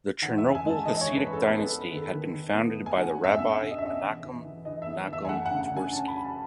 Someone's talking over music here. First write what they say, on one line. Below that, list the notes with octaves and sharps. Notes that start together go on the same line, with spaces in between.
The Chernobyl Hasidic dynasty had been founded by Rabbi Menachem Nachum Twersky.
E3 F#5
E5
C#4
G#5
G#3
A5
E3 D#5
C#5
E3
B4
C#4 A4
B3 A4
B4
A4
B3
B4
D#3
A4
D#3
D#3
B3
A3
G#5
F#5
B2
C#4
E5
B2 E5
B2
D#5
E5
C#4 D#5
E3
E3
E3
E3 D#5
E5
B3
E3
E5
G#5
A3 F#5
F#5
C#3
F#5
C#3
G#5
C#4 A5
B5
F#3
A5